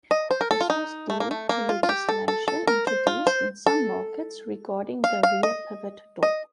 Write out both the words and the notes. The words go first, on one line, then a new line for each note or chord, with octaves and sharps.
This was due to legislation introduced in some markets regarding the rear pivot door.
D#5
C5
A#4
A4
F4
D#4
A3
A#3
A3
A#3
F4
F4
G4
A4
A4
A4
A#4
C5
F4
C5
A4
F5
F5
D#5
D#5